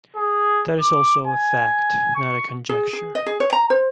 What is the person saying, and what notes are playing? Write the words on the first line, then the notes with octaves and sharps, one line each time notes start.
That is also a fact, not a conjecture.
G#4
D6
G#5
C#6
G#4
G#4
D#5
G#4
C#5
A#5
C5